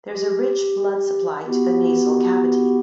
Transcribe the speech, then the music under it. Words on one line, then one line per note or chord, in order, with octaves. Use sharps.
There is a rich blood supply to the nasal cavity.
G4
B3 E4 F#4 G4